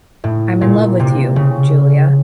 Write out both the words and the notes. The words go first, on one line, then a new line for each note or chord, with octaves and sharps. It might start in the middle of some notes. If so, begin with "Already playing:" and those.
I’m in love with you, Julia.
A2
A#2
C3
C#3